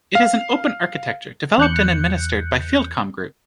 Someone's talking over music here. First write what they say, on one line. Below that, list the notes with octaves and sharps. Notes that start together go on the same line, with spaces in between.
It is an open architecture, developed and administered by FieldComm Group.
F5
E2 F#6 G6 C#7